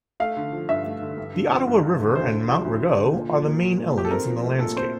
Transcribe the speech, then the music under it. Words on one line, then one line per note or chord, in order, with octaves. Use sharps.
The Ottawa River and Mount Rigaud are the main elements in the landscape.
A3 F5
D3
F3
G2 E5
A3
D3
G2
D3
F3
G2
G2
D3
D2 C5
D3
F3
D2
D2
D3
A#2
F3
A#3
A#2
A#2
F3 G4
A4
C4 A#4
F3
A3
A#2 A4
C4 C5